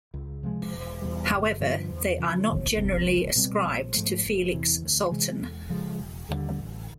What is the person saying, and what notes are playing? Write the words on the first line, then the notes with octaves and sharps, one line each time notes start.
However, they are not generally ascribed to Felix Salten.
C#2
C3 F3 G#3
E1
E2 B2 G3
G1
G2 D3 F3
E2
C#3 F3
F1
E2 C3
C#2
B2 G3 C4
A#1
G#2 F3 A3
F#1
E2 C3 E3
D2
C3 E3 G#3
E2
C#3 F3 G#3
E1
D#2 D3 G3
A1